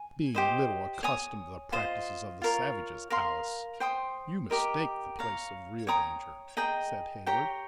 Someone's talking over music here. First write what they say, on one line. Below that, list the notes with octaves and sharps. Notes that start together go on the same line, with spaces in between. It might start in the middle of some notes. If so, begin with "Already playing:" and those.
"Being little accustomed to the practices of the savages, Alice, you mistake the place of real danger," said Heyward.
Already playing: G#5
G4 C5 D#5
C#5 G#5 D#6
F4 C5 D#5
F4 A#4 C#5
A#4 F5 C6
C5 G5 C6 D#6
G4 A#4 D#5
C#5 F5 A#5
C#5 G5 A#5 D#6
G#4 D#5 G5 A#5
G4 C#5 G5 A#5